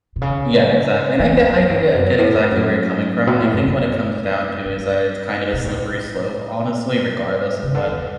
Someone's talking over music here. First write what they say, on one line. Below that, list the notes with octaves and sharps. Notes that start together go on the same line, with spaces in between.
Yeah, exactly. And I get I g get I get exactly where you're coming from, I think what it comes down to is, uh, it's kind of a slippery slope, honestly, regardless of what
B2
C#3
E3
F#2
F#2
G2
F#2
A2
G2
F#2
B2
A2
G2
F#2
G2
B2
A2
C#3
D3
E2